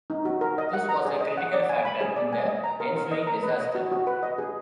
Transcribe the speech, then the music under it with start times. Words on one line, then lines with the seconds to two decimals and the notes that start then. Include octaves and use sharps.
This was a critical factor in the ensuing disaster.
0.10 D#4
0.25 F#4
0.41 A#4
0.58 D#5
0.73 F#5
0.89 A#5
1.05 G#4
1.21 D#5
1.37 F#5
1.53 D5
1.69 G#5
1.85 B5
2.01 G#4
2.16 D5
2.33 G#5
2.48 D#5
2.64 A#5
2.80 A#4
2.96 A#4
3.11 D#5
3.27 A#5
3.43 B4
3.60 D#5
3.75 F#4
3.92 F#4
4.07 B4
4.23 D#5
4.38 G#4